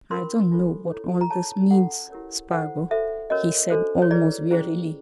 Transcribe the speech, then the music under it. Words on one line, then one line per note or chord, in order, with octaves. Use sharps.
"I don't know what all this means, Spargo," he said, almost wearily.
C#4 F4 A#4 C6
D4 F4 A4 C5
E4 A4 C#5
A#5
F4 G#4 C#5 A5
C#4 F#4 A4 F#5
E4 G4 A#4 C#5
E4 A4 C5 F#5
F#4 A4 C5 E5
C#4 F#4 A#4 C#5 D#5
D4 F#4 A4 C5
C#5
E4 G#4 B4 D5
C#4 E4 G#4 C5